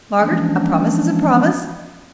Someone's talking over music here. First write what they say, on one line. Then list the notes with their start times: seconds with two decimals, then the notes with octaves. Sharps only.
Margaret, a promise is a promise.
0.20 E3 F3 G#3 A#3 C#4 D4